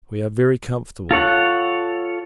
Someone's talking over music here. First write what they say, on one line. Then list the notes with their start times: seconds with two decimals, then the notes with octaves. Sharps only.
We are very comfortable.
1.11 F4 A4 C#5 F#5